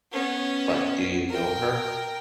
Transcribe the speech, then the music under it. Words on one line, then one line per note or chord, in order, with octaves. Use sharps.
But do you know her?
B3 C#4
A#4 G5